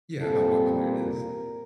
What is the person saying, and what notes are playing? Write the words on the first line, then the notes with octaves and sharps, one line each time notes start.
Yeah, how popular it is.
A#2 G3 C4 A4
A#4